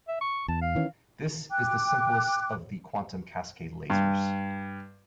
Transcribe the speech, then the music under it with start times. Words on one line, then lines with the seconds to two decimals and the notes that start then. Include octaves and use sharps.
This is the simplest of the quantum cascade lasers.
0.08 E5
0.21 C#6
0.48 E2 A5
0.61 F5
0.75 D#3 E3 C#4
1.51 G5 D6 F#6
3.90 G2